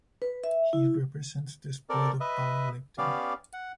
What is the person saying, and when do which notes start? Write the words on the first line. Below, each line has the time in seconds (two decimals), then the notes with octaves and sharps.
He represents the sport of Powerlifting.
0.22 B4
0.44 E5
0.73 E4
1.90 C4 A4 A#4 D5
2.20 B4 D#5 E5
2.98 B3 C#4 G4 D5 F5
3.53 F#5